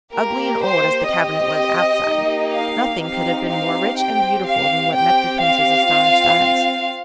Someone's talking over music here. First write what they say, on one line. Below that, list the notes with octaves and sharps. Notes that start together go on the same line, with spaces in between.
Ugly and old as the cabinet was outside, nothing could have been more rich and beautiful than what met the Prince's astonished eyes.
A#3 G4 A#4
C5
C4 G4 D#5
A#3 D#4 G4
F5
C4 D#4 G4 F5
F5
C4 G4 G5
F5
C4 G4 G5
F5
C4 F4